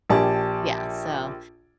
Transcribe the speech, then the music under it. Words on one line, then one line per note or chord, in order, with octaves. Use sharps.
Yeah, so
A#1 G4 D5 G#5 A5